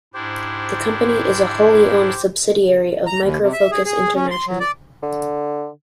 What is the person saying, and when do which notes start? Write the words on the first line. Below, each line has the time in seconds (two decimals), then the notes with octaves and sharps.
The company is a wholly owned subsidiary of Micro Focus International.
0.14 G#2 D4 E4 G4 C5
3.07 A#5
3.21 D#2
3.41 C3
3.53 E5
3.71 G#4
3.85 G#4
4.15 C#4
4.31 C6
4.47 F#3
4.60 D5
5.03 D3